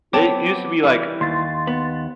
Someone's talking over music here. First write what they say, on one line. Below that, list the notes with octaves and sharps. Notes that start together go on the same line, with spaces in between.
it used to be like,
F#3 B3 C4 C#5 G5 A5 D6
E3 G3 E4
D#2 C6 A6
B3